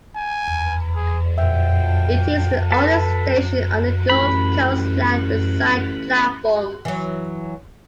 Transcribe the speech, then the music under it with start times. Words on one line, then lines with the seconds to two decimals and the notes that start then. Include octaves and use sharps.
It is the only station on the Gold Coast line with side platforms.
0.16 G#5
0.95 G#4
1.38 F#2 A#2 E5 G5
2.72 A4 B4 A5
4.10 A1 B5
6.85 E3 F#3